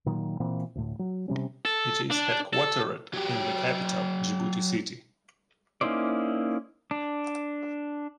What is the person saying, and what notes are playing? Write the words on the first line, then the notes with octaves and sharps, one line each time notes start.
It is headquartered in the capital, Djibouti City.
A#2 D#3 F#3
A#2 E3 C4
D2 A2
F#3
C3 G3 C#4
A4
D4
A4
F#3 G4
A#3 C#4 D#4 E4 C5 D5
D4